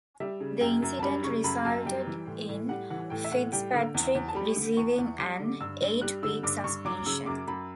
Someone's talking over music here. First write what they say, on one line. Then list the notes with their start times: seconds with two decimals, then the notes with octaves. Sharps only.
The incident resulted in Fitzpatrick receiving an eight-week suspension.
0.20 G3 E5
0.41 C#3
0.61 F#2 G5
0.82 F#2
0.99 A5
1.02 G3 B5
1.23 C#3 C#6
1.44 F#2 B5
1.65 F#2 A5
1.86 G3 G5
2.07 E3
2.27 A2
2.49 A2
2.69 G3 F#5
2.90 E3 F#5
3.10 A2 G5
3.24 E5
3.31 A2 F#5
3.52 G3 G5
3.73 D3
3.94 E2
4.15 E2
4.28 A5
4.35 G3 B5
4.56 D3
4.77 E2 C#6
4.98 E2
5.18 G3 D6
5.40 D3
5.61 G2 E6
5.82 G2
6.01 G3 F#6
6.23 D3 E6
6.43 G2 D6
6.64 G2 C#6
6.85 F#3 D6
7.06 C#3 E6
7.26 F#2 D6
7.47 F#2 B5